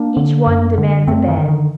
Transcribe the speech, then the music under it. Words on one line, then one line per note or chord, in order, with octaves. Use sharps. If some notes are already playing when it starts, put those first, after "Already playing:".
Each one demands a bed.
Already playing: A#3 D4
D3
F#2
D3
F#2 A3 C4
D#3
D3
D#3